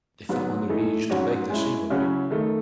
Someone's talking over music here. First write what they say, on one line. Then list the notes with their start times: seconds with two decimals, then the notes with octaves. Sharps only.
They fell on their knees to beg the same of me.
0.29 G#2 F#3 B3
0.69 E3 A3 D#4
1.10 G#2 F#3 C#4 F#4
1.50 G#3 C#4 E4
1.90 C#3 F#3 C#4 E4
2.30 D#3 A3 D#4